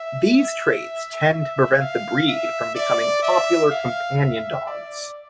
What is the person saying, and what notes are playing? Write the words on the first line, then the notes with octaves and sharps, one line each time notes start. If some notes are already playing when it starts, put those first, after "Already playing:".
These traits tend to prevent the breed from becoming popular companion dogs.
Already playing: E5
E5
E5
F5
E5
D5
E5
F5
E5
D5